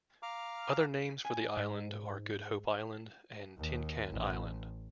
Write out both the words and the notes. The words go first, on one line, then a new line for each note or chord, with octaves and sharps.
Other names for the island are Good Hope island and Tin Can island.
F5 A#5 D6 F6
G#5
G#2
D#2
A1